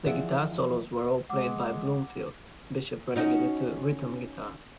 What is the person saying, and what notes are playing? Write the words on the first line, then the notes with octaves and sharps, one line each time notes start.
The guitar solos were all played by Bloomfield, Bishop relegated to rhythm guitar.
E3 F3 G#4 D5 E5 F#5
G#3 F#5 D6
C#4 D#4 F#4